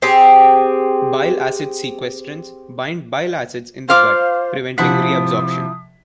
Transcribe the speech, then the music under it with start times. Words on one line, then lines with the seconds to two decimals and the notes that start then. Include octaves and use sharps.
Bile acid sequestrants bind bile acids in the gut, preventing reabsorption.
0.02 C4 G4 G#4
3.89 F4 C5 F5 D6
4.78 C3 F3 E4 F#5 D#6 B6